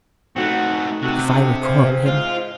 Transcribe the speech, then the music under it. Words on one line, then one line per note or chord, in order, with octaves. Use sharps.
If I recall him!
A3 C4 D#4 F#4
C3 A3 B3 F#4
D3 C4 D#4
E3 F4 G#4 C5
G#2 G#3 F4